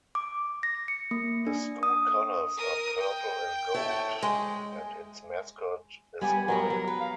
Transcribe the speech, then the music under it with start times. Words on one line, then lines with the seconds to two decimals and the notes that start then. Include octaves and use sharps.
The school colors are purple and gold, and its mascot is the lion.
0.15 D6
0.63 A#6
0.88 C#7
1.11 A#3
1.47 D4
1.83 D#6
2.57 A#4 D#6
2.99 G5
3.74 E4 A4 C#5
4.22 G#3
6.21 G3 B3 G4 G#5
6.48 F#3 G3 B3 A#4
6.70 F#3
6.88 B4
7.00 F5